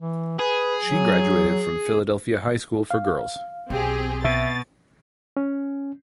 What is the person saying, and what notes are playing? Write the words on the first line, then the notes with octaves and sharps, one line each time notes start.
She graduated from Philadelphia High School for Girls.
E3
G#4 B4
F#3
F5
B1 C4 G4 G#4
B2 E5 A6
C#4